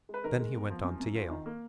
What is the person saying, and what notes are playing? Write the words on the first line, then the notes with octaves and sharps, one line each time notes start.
Then he went on to Yale.
G#3 B4
D#3 A#4
G#3
B3
F3
F#2
F#2
F4
D#3
A#3